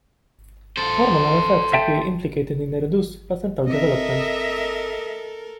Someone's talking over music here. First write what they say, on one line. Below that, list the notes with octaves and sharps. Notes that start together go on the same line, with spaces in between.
Hormonal effects appear implicated in the reduced placental development.
A4 C5
E5 G5 A5
C4 A4 A#4 D#5 E5